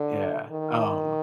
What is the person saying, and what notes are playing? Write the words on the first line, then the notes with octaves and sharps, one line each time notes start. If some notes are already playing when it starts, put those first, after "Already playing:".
Yeah, um,
Already playing: D3
D#3